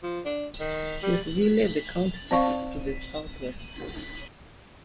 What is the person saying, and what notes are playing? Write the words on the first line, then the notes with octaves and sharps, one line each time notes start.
Louisville, the county seat, is to the southwest.
F3
D4
D#3
G3
C4 C5 D5 F5 A5 C#6